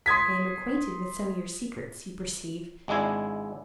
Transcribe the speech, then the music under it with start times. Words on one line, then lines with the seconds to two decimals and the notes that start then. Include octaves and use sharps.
I am acquainted with some of your secrets, you perceive.
0.06 C6 D#6 G#6 B6
2.88 G#1 G#3 D4 E4 G#5